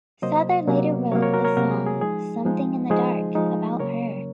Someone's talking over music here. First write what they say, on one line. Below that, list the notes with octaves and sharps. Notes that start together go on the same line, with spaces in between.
Souther later wrote the song "Something in the Dark" about her.
C3 F#3 A#3 C5 D#5
C3 F#3 A#3
C3 F#3 A#3 A#4 C#5
A#4 C#5
F#4 A#4
A#4 C#5
C3 F#3 A#3 F#4 A#4
G#4
G#4
F3 G#3 D#4 G#4
F3 G#3 D#4
F3 G#3 D#4 G#4 C5
F3 G#3 D#4
C#3 F#3 A#3 C#4 A#4 C#5